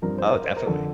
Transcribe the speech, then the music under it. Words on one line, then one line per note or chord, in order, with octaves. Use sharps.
Oh, definitely.
G2 F3 C4 A#4
C5
A#4
C5
A#4
F2 D3 A4